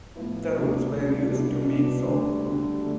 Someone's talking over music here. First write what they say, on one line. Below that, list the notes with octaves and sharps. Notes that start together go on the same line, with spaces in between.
The roots were used to make soap.
A2 F3 B3 E4
D2 C3 G3 D4
D2 C3 G3 D4
C2 B2 B3 D4
C2 B2 B3 D4
D2 D3 G3 D4
D2 D3 G3 D4
A3 D4